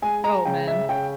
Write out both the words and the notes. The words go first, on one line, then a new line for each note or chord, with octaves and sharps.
Oh man.
G#3 G#5
A#5
C#3 G5
E5
C#3 G5